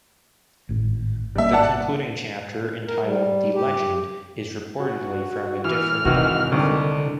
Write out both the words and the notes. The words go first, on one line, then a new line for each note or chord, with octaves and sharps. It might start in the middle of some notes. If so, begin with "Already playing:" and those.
The concluding chapter, entitled "The Legend", is reportedly from a different biography.
G#1 A2
G#1 G3 A#3 E5
D5 F#5 A5
A#4
G3
G4
F#4
E3 F6
C3 D#3 E3 G#3 F#4
C2 D3 D#3 D6